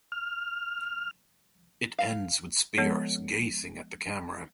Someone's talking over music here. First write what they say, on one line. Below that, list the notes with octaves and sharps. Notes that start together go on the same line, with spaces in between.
It ends with Spears gazing at the camera.
F6
F5
F3 G#3 B3 A4 C#5